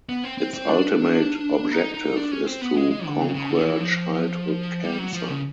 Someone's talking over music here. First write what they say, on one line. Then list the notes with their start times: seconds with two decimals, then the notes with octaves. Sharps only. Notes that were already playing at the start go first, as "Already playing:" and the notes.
Its ultimate objective is to "conquer childhood cancer".
0.09 B3
0.24 C4
0.38 C4
0.54 C4
0.68 D4
1.71 D#4
1.94 D#4
2.16 D4
2.31 C#4
2.46 C4
2.61 B3
2.76 G#3
2.90 G#3
3.06 D3
3.21 C#3
3.35 C#3
3.49 D3
3.59 D#3
3.65 E3
3.80 F3
4.84 G3
4.99 F#3
5.13 F3
5.29 C#3